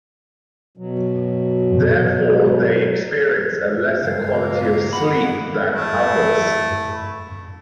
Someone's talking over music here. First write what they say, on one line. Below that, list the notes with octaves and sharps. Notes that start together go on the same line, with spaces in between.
Therefore, they experience a lesser quality of sleep than others.
B2 F#3
C#2 G2 F5
A#3
F#5 B5
A3 E4